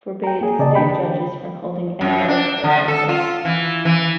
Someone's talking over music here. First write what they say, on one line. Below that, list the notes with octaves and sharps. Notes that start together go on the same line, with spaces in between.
Forbade state judges from holding any other state office.
G5 A#5
A#3 G#4
C#3 D5 D#5 A5
D#3 D4 G4 G5 B5
F#2
D4
D3
A4
F4
E3
E3